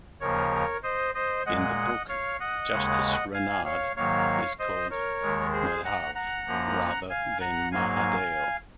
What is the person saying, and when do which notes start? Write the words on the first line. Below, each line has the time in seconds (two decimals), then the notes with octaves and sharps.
In the book, Justice Ranade is called "Madhav" rather than Mahadeo.
0.20 D#2 C#3 F3 A#3 A#4 C#5
0.83 C5 D#5
1.14 C5 D#5
1.46 A#2 G#3 D#5 F#5
2.08 C#5 F5
2.40 D#5 F#5
2.71 D#2 C#3 G#3
3.33 F5 G#5
3.65 C#5 F5
3.96 G#2 D#3 F#3 A#3 C#5 F5
4.59 C5 D#5
4.90 A#4 C#5
5.22 D#2 D#3 G#3
5.52 G#4 C5
5.84 F#5 A#5
6.15 F#5 A#5
6.47 F#2 F3 A#3
7.10 F5 G#5
7.41 F#5 A#5
7.72 G#2 F#3 A#3 F5 G#5